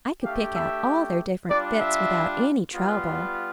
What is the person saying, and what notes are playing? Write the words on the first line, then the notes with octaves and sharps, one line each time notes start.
I could pick out all their different fits without any trouble.
A3 D4 G4 F5
E5
G3 D4 F4 D5
E5
G3 B3 F4